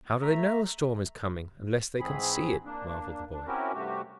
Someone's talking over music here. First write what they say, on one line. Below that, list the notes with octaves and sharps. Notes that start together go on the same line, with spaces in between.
"How do they know a storm is coming, unless they can see it?" marveled the boy.
A3 E5 A#5
G#2 E3 C4 G#4 B5
A#3 D4
D4
C4 C#4 E4 F#4 G4 A#4
G2 C3 A3 F#4 G4